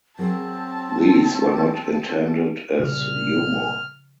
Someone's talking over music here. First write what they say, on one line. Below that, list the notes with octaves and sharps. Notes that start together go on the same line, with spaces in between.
These were not intended as humour.
F#3 C4 G#4 A#4 A5
C2 A#2 C#3 F3 F6